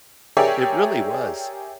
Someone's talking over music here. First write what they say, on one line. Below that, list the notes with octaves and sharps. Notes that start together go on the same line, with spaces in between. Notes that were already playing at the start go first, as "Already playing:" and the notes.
It really was.
G4 G#4 A#4 C#5 D5 E5